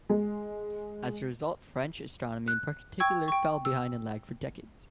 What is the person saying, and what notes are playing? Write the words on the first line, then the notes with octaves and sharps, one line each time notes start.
As a result, French astronomy in particular fell behind and lagged for decades.
G#3
F#6
G5 C#6 E6 G#6
G5 C#6
E6